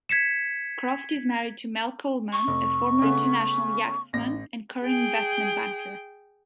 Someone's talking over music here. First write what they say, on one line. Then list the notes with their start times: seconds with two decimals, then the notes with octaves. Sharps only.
Croft is married to Mel Coleman, a former international yachtsman and current investment banker.
0.09 G#6 B6 C#7 E7
2.33 C#6
2.47 F1
3.02 C#3 A3 B3
4.13 A1 A#6
4.84 G#4 G5